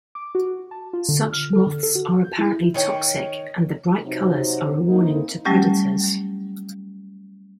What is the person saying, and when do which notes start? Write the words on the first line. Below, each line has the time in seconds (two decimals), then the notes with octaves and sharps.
Such moths are apparently toxic and the bright colors are a warning to predators.
0.15 D6
0.35 F#4
0.71 A5
0.93 F4
1.08 D3
1.33 F6
1.53 A4
1.67 D3
1.83 A4
1.95 F#4
2.24 G6
2.38 E4
2.74 D#3 C#5 G5
4.04 C3 F#3 C4 D#4 F#4
4.87 A#3 C4 D#4 E4 A#4
5.45 F#3 G3 A3 C#4 G4